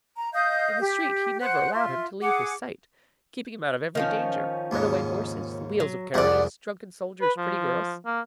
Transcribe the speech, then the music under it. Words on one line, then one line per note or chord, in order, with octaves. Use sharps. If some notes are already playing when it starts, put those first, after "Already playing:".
In the street he never allowed him to leave his sight, keeping him out of every danger--runaway horses, the wheels of carriages, drunken soldiers, pretty girls.
A#5
D#5 F5 D#6 G6
G4
C5 F#5 F#6
F4 E5 C6
G#4 F#5 D6
D#3 F3 C#4
D#2 G#2 C#3
F#3
C2 F2 G#3 D5 F#5
B4
F3
A#3